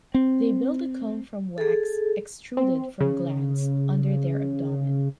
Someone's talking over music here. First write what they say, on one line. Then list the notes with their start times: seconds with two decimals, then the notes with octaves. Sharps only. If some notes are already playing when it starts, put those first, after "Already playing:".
They build the comb from wax extruded from glands under their abdomen.
0.14 C4
1.58 G#4 A4
2.57 C4
3.00 C#3